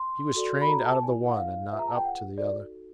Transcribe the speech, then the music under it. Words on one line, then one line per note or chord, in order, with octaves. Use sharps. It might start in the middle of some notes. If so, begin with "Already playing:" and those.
He was trained out of the one and not up to the other.
Already playing: C6
F#4 A4 D5
B5
A#5
A5
E4 G4 A#4 D5 G#5
F#5
F5
F4 G#4 B4 E5
A#5
A5
G5
F#5
D#4 F#4 A4 D5